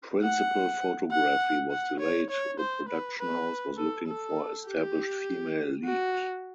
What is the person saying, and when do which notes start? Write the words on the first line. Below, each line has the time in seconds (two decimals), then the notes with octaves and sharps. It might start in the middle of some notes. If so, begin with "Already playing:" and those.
Principal photography was delayed the production house was looking for established female lead.
0.23 F#5
1.11 F#5
1.71 F#5
2.00 C#5
2.30 C#5
2.60 C5
2.89 B4
3.18 B4
3.77 A4
4.07 A4
4.66 G4
5.85 F#4